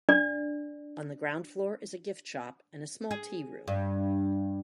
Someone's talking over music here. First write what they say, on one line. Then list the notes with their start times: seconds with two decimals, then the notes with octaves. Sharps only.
On the ground floor is a gift shop and a small tea room.
0.09 D4 D5
3.11 G#4
3.68 G2